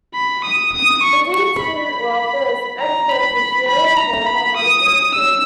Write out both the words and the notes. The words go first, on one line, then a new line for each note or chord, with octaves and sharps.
The Dean Student Welfare is "ex officio" Chairman of the Council.
B5
D#6
D#6
C#6
C#6
B5
A#5
B5
B5
A#5
B5
D#6
E6